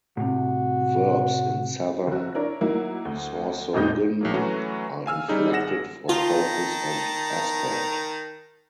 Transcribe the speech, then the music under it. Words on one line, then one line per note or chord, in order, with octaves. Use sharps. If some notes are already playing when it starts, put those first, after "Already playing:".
Verbs in Southern Sorsogon are inflected for focus and aspect.
A2 C3 F#4
F#1 F#4
D4 E4 A#4 C#5
F#3 A#3 D#4 E4
D2
G#1 F2 A#2 D#5 G6
A#1 F#3 A#3
E3 F#3 A3 C#4 F#4
F5 G#5 E6 F6
G3 C#4 D#4 G#4
G#1 G#4 F#5 A#6 E7
D#3 F4 A5 A#5